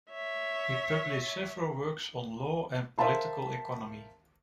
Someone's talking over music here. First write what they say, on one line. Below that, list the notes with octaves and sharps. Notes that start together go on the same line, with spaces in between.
He published several works on law and political economy.
C#5 E5
A#4 C5 E5 F5 A5 C6